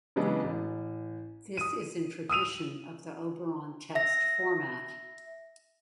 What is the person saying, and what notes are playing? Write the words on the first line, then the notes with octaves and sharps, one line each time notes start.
This is in tradition of the Oberon Text format.
C#3 E3 F#3 G#3 B3 D4
A1
D#6 D#7
D#6 E6 D#7 F7
E5 A#6